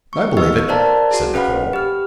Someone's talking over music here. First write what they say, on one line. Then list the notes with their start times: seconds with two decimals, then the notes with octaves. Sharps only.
"I believe it," said Nicholl.
0.13 C#6
0.37 B3 D#4 B4 D#5 C#6 E6
0.68 A#4 C5 D5 F5 A5 A#5
1.11 F#4 G#4
1.34 C#4 B4 F5 F#5 B5
1.73 G4 F6